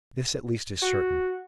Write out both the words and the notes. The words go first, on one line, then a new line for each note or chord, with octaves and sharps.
This at least is certain.
F#4